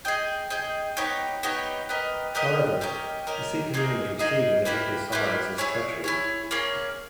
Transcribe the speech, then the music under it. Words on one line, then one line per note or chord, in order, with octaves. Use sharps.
However, the Sikh commanders were seething at what they saw as his treachery.
G#4 D#5 G5
G#4 D#5 G5
B3 D#4 G4 C#5
B3 D#4 G4 C#5
B3 G4 A#4 D#5
B3 G4 A#4 D#5
C#4 G4 A#4 D#5
C#4 G4 A#4 D#5
A#3 D#4 G#4 D#5
A#3 D#4 G#4 D#5
A#3 E4 G4 B4
A#3 E4 G4 B4
E4 G#4 C#5
E4 G#4 C#5
A#3 C#4 G#4 C#5